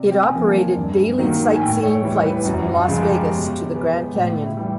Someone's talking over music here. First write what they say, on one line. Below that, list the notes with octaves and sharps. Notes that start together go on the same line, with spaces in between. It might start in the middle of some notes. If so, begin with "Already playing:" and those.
It operated daily sightseeing flights from Las Vegas to the Grand Canyon.
Already playing: C3 D5
G5
G#5
F3 A#3
A5
G2
D#3 F#3 A#3
G#5
A2 G5
C#5
E3 G3
B4
F#2 F#4
F4
C#3 F3 G#3
G4
B2
G#3 B3
A2 F4
E4
E3 G3